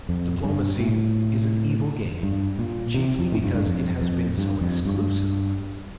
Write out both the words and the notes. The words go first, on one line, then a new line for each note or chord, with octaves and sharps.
Diplomacy is an evil game, chiefly because it has been so exclusive.
F2
G2
A2
G2
A#2
C3
F2
A2
G2
G2
F2
F2
G2
F2
G2